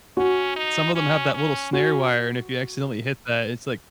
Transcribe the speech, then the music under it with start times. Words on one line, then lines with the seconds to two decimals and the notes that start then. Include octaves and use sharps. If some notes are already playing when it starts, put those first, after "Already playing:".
some of them have that little snare wire, and if you accidentally hit that, it's like,
0.17 C#4 F#4
0.56 D#4
0.95 C#4
1.34 C#4
1.73 C#4 F#4